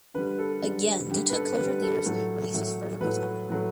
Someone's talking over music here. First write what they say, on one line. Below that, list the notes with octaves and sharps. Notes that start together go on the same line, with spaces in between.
Again due to closure of theaters release was further postponed.
D3 G3 B4
A4
D3 G3
D3 G3 G4
B4
A4
D3 G3 B4
A4
A2 F#3 A3
A2 F#3 A3
A2 F#3 A3 B4
A2 F#3 A3